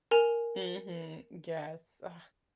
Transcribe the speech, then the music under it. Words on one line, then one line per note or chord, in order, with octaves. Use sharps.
Mhm, yes, ugh,
A#4 G#5 F7